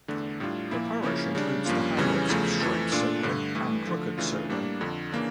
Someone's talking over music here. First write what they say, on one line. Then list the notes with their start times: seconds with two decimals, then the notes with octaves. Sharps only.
The parish includes the hamlets of Straight Soley and Crooked Soley.
0.08 E2 D3 A3 D4
0.40 A2 G3 D4 F4
0.71 A#2 F3 A#3 E4
1.03 C#3 F3 A#3 C#4 E4
1.35 C#3 G3 D4
1.66 G2 F3 A#3 C#4 F4
1.97 F2 C#3 E3 G3 C#4
2.29 E2 C#3 F3 A3
2.60 F2 E3 A3
2.92 A#2 A3 D4 F4
3.23 G2 D3 A3
3.55 G2 E3 A3
3.86 D3 F3 A3
4.18 C#3 E3 A3 D4 F4
4.49 A2 G3 A#3 D4
4.81 F2 D3 F3
5.12 C#3 E3 A#3 D4